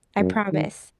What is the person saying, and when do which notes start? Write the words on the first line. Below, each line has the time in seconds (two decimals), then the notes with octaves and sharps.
I promise.
0.19 F#2
0.52 D#3